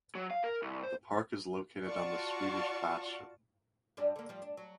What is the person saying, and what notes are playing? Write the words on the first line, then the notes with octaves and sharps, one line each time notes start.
The park is located on the Swedish Bastion.
F#3
F5
A#4
C2
C5
F4 F#4 D5 A5 C#6
F#2 G3 D4
D3 A#3
F3 G3
D4
F#3